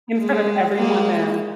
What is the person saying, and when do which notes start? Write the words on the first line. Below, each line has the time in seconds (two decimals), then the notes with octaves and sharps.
in front of everyone there,
0.19 G#3
0.75 G#3 A#3